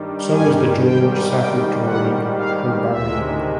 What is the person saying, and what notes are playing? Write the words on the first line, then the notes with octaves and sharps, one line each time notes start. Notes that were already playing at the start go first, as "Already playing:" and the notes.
So is the George Safford Torrey Herbarium.
Already playing: G2 D#3 G3
G#5
G#2 D#3 G3 G5
G5
F#5
F5
D2 C3 D#3 G#3 E5